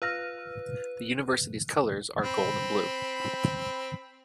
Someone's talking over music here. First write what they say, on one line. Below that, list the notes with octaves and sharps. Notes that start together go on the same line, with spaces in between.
The university's colours are gold and blue.
F4 B4 F5 E6 F6 A#6
C4 B5